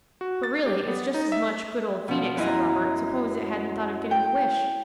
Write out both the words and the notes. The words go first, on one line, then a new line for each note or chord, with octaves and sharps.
'But, really, it's just as much good old Phoenix,' said Robert. 'Suppose it hadn't thought of getting the wish!'
F#4
A6
G4
B3
D#4
E5
B2 F3
F#2 E4 D#5 A#5
G5